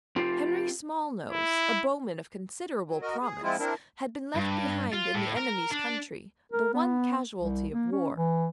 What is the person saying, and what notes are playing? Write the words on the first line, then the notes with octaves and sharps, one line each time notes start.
Henry Smallnose, a bowman of considerable promise, had been left behind in the enemy's country, the one casualty of war.
C4 F4 G4
E4
F#3
F#4 A#4 D#5
G#4
F3 G#3 C4 E4 F4
C4 D4 E4 A#4
G2
F4
A2
A#4
D4
A#4
B3
C2
A#3
C#4
E3